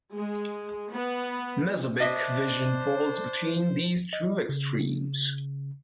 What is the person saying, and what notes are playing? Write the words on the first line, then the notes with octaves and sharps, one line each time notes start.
Mesopic vision falls between these two extremes.
G#3
B3
D4 C5 D#5 E5
D#5
C#3